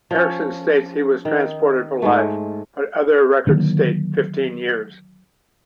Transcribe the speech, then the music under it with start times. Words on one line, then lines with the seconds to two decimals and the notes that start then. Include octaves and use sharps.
Erickson states that he was transported for life, but other records state fifteen years.
0.11 F3 C#4
1.25 D#3
2.02 G#2 G#3 A3
3.47 D3 D#3 F#3 A#3